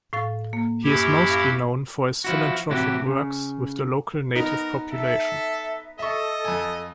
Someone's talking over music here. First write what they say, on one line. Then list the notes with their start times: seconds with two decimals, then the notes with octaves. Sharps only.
He is mostly known for his philanthropic works with the local native population.
0.13 A2 F5 A6
0.53 A#3
0.83 F#2 E4 G4
1.30 F5 A#6
2.24 F3 E4 F#4
2.70 A2 C3 E3 E4 F#4 G4
3.06 C#3
4.36 B3 D#4 A#4
4.91 A4 E5
5.99 A4 D#5 E5 C#6
6.45 F2 G#5